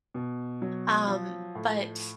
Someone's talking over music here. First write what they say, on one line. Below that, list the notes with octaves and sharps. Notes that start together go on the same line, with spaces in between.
um, but,
B2
F#3
F3
A2